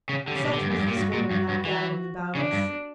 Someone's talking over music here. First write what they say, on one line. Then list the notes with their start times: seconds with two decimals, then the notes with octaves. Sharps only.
Such was the storm now gathering about us.
0.09 C#3
0.27 D3 G4
0.36 C#3
0.44 B2
0.53 D3
0.61 G2
0.71 F#2
0.79 G2
0.88 A#2
0.96 G2 F#4
1.13 A#2
1.31 G2
1.49 G2
1.65 E3 F#4
2.35 C#3 D4
2.53 G2